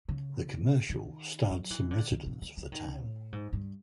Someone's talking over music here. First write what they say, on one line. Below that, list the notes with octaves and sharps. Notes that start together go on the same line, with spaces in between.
The commercial starred some residents of the town.
C#3
D#3
F#3
E3
D3
D#3
E3
E3
E3
D#3
A2
G#2
G2